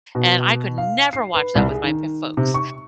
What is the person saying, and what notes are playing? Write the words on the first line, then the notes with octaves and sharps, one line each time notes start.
and I could never watch that with my p folks.
B2
F5
C7
B4
C2
G#4
D#3
C3
C#6